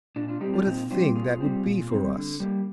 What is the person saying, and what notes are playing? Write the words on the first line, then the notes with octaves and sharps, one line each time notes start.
'What a thing that would be for us!'
A#2 D4
D4 F4
G3 C4 D#4 G4
D4 F4
A#2 C4 D#4
G3 C4 D4 F4
A#2 F4 G#4
G3 C4
A#2
G3 C4
D3
G3 A#3